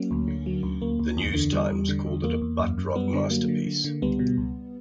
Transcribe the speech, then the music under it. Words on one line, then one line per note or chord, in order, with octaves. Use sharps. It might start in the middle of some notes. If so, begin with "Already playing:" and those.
"The News-Times" called it a "butt-rock masterpiece".
Already playing: F#3 A#3 C#4
D2
D3
F#3
D2
D2 A#3
D2
E2
D3
E2 G3
E2
D3
E2
E2 A#3
E2
F#2
F#2
F#2 G3 B3
D3 G3
F#3 A#3
D3
D3
D3
C#2 G3 B3
B2
C#2